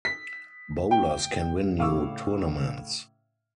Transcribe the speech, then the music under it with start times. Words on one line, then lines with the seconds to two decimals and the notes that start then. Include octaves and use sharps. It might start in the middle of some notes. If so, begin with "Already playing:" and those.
Bowlers can win you tournaments.
0.05 B6
0.91 G5
1.78 A2 C#3 F5 C#6 D6 E6